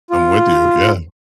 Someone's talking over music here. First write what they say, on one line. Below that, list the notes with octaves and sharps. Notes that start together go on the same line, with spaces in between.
I'm with you, yeah.
F4